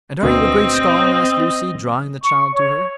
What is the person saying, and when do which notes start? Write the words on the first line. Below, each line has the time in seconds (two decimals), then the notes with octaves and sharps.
"And are you a great scholar?" asked Lucy, drawing the child to her.
0.23 D2 B2 C4 D#5
2.23 C#6
2.54 C#5